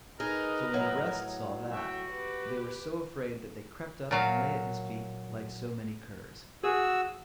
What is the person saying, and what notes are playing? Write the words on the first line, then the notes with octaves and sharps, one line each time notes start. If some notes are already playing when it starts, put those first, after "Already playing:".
So when the rest saw that, they were so afraid that they crept up and lay at his feet like so many curs.
D#4 G#4 A#4 B4 D#5
A2 F#3
F#4 E5 G5
G4 B4
A#2 F#3 F5
F#4 G#4 E6